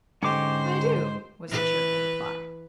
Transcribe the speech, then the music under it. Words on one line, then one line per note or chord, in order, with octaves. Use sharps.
"I do," was the cheerful reply.
G#2 D3 C#4 D#4 G4 C5 D6
E3 B4